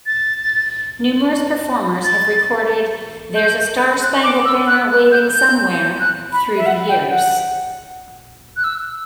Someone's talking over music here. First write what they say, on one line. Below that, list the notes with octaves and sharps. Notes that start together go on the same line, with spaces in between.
Numerous performers have recorded "There's a Star-Spangled Banner Waving Somewhere" through the years.
A6
A6
G6
F#6
D6
E6
F#6
F#6
G6
G6
F#6
B5
E5
F#5
G5
F#5
F#6
E6